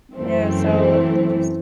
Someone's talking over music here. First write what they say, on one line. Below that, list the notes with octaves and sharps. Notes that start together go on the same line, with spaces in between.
Yeah, so, I'm just
F#2 E3 A3 C4